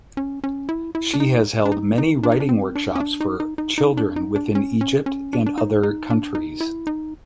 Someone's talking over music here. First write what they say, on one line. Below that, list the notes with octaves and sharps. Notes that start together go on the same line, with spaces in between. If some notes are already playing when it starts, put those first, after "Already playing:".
She has held many writing workshops for children within Egypt and other countries.
C#4
C#4
E4
E4
D4
D#4
D4
D#4
D#4
D4
D#4
D4
C4
D4
C#4
D4
D#4
D#4
D#4
D#4
D4
D#4
D4
C#4
C#4
C#4
D4
D4
D#4
D#4
D4
D#4
E4
D#4